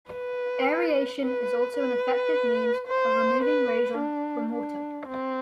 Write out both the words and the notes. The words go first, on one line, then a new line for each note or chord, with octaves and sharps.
Aeration is also an effective means of removing radon from water.
B4
B4
B4
C5
B4
D4
D4
C4